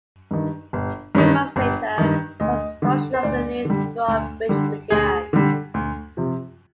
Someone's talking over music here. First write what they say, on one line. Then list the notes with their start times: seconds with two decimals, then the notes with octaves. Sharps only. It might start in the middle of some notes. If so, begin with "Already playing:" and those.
Three months later, construction of the new drawbridge began.
0.31 G2 D#3
0.73 G1
1.15 G2 D#3
1.56 G1
1.98 G2 D#3
2.40 D2 D#5
2.82 D3 G3
3.14 C5
3.23 D2 D5
3.65 D3 G3
4.08 D2
4.49 D3 G3
4.90 D2 G#4
5.33 D3 G3
5.74 D2
6.17 C3 F3